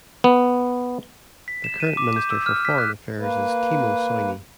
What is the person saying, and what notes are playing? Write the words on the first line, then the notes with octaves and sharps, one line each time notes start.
The current Minister for Foreign Affairs is Timo Soini.
B3
B6
E7
D#7
D6
G6
E6
F6
B6
F#6
A#3 B4